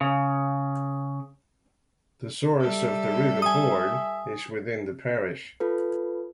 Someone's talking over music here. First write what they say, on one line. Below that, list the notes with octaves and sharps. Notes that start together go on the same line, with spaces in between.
The source of the River Bourne is within the parish.
C#3
G3 A4 E5
E5 G#5 D#6
F4 A4 B4